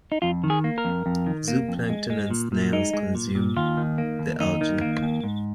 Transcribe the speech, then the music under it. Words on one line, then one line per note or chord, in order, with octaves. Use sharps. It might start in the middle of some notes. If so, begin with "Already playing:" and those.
Zooplankton and snails consume the algae.
D#4
F2 F4
D#3
G#4
A#3
A#4
F2
F2
D#3
A#3
F2
G#3
G#3
A#2
A#2
G#3 D#4
G#3
A#2
A#2
D#2 F4
D#3
A#3
D#2
D#2 D#4
D#3
A#3
D#2
G#2